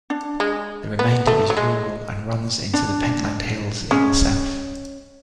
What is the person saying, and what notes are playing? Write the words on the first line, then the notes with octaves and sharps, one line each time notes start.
The remainder is rural, and runs into the Pentland Hills in the south.
D4
G#3
B3
A3
F#3
G#3
D4
G#3 C#4